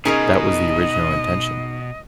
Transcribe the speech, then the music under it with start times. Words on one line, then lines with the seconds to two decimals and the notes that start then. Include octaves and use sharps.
That was the original intention.
0.05 B2 C#4 D#4 G#4 A#4 D#5